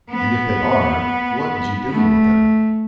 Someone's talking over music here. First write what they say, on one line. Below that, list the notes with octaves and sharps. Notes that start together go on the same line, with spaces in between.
"And if they are, what is he doing with them?"
B3
A3